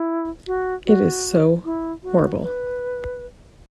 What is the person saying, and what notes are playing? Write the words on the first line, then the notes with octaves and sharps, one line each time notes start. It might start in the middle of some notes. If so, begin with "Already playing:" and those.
It is so horrible.
Already playing: E4
F#4
F#4
E4
F#4
B4